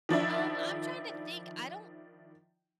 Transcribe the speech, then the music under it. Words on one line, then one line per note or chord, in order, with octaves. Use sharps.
Um, I'm trying to think, I don't
D#3 F3 D4 E4